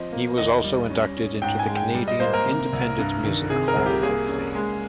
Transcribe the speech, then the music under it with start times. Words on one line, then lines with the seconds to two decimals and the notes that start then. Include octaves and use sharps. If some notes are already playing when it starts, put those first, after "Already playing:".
He was also inducted into the Canadian Independent Music Hall of Fame.
Already playing: F3 C4 D#5
0.12 A#3
0.38 D#2 D#5
0.64 G3
0.90 C#4
1.17 C#4
1.42 G#2 G5
1.59 G#5
1.68 G#3
1.77 G5
1.94 G3
2.08 D#5
2.20 A#3 C5
2.34 A#4
2.47 C3
2.73 C2
2.99 G2
3.25 D#3
3.50 C3 G#4
3.68 A#4
3.77 C2
3.86 G4
4.03 A#3 G#4
4.28 C#4
4.55 G#3